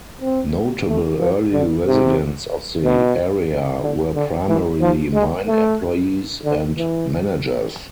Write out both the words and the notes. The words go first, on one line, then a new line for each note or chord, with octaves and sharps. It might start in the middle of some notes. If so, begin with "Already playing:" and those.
Notable early residents of the area were primarily mine employees and managers.
C4
A3
F3
D3
C3
B2
D3
D3
E3
F3
G#3
A3
D3
E3